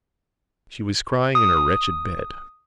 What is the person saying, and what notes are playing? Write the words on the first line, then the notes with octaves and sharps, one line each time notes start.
She was crying in her wretched bed.
D#6